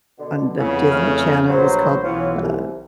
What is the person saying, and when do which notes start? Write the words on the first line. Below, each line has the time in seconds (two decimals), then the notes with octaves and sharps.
on the Disney Channel, it was called, uh
0.18 B2 D3
0.58 F2 C#3 B3 C#4 E4
0.92 E2 A3 F6
1.49 A#1 F#3 B4 C5
2.03 B1 E3 B3 C#4 F4
2.41 C2